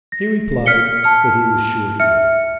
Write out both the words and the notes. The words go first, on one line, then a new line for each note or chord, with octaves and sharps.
He replied that he was sure he would.
A#6
F6 B6 C#7 G7
A5 F6
E5 F6 C#7